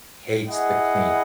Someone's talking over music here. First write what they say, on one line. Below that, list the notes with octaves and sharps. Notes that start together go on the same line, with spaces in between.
hates the cleanup.
E4 G#4 D#5 F#5